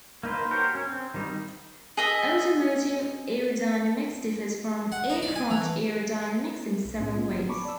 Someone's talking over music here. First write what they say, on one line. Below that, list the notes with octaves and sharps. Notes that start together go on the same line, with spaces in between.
Automotive aerodynamics differs from aircraft aerodynamics in several ways.
A#3 D#4 B4 C5
F#4 G4 A#4 C5 C#5
C#4
C4
D#3 G3 D#4
G#4 D#5 E5
F#5
D#4
D5
G#5
E3
B1
A2 B3 C#4 E4
A#3 B3 F4
G1 F#3
G#5 A5 B5 C#6 D6
D5 E6